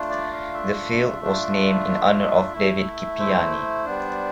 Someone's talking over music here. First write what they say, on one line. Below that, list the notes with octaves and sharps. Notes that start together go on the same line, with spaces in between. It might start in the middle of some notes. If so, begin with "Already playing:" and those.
The field was named in honour of David Kipiani.
Already playing: A3 D4 F4
D5
F5
E5
A3 D4 F4
A3 E4
C5
G3 B3 D4